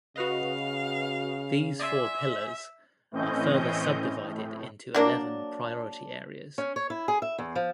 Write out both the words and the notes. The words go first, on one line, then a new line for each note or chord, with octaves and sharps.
These four pillars are further subdivided into eleven priority areas.
C#3 F#4 B4 D#5 F5
D5 E5 G#5 C6
A2 E3 C4 C#4 D#5 G6
A2
F#3 A#3 D4
C#4
C#5
E4
G#4
E5
E2
F3